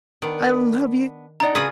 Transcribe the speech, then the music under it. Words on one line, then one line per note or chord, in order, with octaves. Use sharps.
I love you!
D#3 B3 D4
D4 D#4 D5 F#5 A#5
C#3 C4 F4 F#4 G#4 A#4 B4 D#6